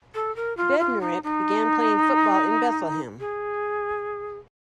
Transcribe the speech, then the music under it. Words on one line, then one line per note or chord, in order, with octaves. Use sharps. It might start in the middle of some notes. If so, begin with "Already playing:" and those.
Bednarik began playing football in Bethlehem.
A4
A#4
F4
F4
D#4
D#4
G#4